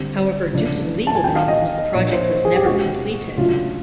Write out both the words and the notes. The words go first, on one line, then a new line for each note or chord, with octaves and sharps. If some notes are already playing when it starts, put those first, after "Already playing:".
However, due to legal problems the project was never completed.
Already playing: D3 G3 C4
C#3 F3 A3 D4
A5
G#5
D#3 F#3 B3 D4 G5
F5
D#5
A#2 F3 A#3 D4 C#5
C5
G#4
G4
B2 G#3 C#4 F#4
C#3 F#3 A3 D4 F4